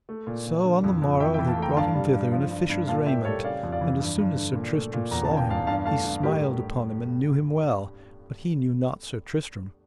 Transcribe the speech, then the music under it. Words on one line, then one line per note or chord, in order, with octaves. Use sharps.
So on the morrow they brought him thither in a fisher's raiment; and as soon as Sir Tristram saw him he smiled upon him and knew him well, but he knew not Sir Tristram.
A3
A#2
A#2
D3
F2
F2
F2 E5 G5
E5 G5
E3
F5 A5
A3 G5 A#5
G2 F5 A5
G3
G2
F3
G2
G2
A#2 F5 A5
A#2 E5 G5
G3 A4 C#5
C#3 D5 F5
F2
D5 F5
E3
G2
G2
D3
A#2
A3
A#2
E2 A#5
A5
C#3
G5
E2 F5 A5
G2 F5 A5
A3 F5 A5
G2
A2 G4 A#4